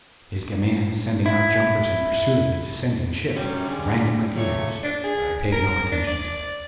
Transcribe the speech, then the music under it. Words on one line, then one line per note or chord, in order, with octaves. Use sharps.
His commands, sending out jumpers in pursuit of the descending ship, rang in my ears, but I paid no attention to them.
E4
F#3 G3 C#4
D3 G#4
C3 D#3 A3 C#5
D4
G#4
A#4
D4
D5